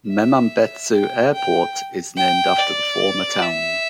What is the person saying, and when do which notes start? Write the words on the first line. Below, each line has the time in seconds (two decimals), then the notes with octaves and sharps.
Memanbetsu Airport is named after the former town.
0.08 E5
0.92 G5
1.34 G5
2.17 G5
2.58 D5
3.42 E5